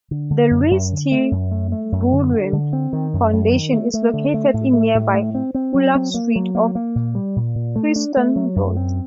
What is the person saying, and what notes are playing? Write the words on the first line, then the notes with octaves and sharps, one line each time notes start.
The Louise T Blouin Foundation is located in nearby Olaf Street, off Freston Road.
D3
D3
F#2
F#2
D3
A3
F#2
A3
A3
F#2
D3
D3
D3
C4
D#3
F#2
F#2
D#3
A3
A3
D3
A3
A2
A3
A2
A3
C4
C4
F#3
C4
A#3
F#3
A#3
A#3
A#2
G3
A#2
A#2
A3
D4
A3
F#3
F#2
C4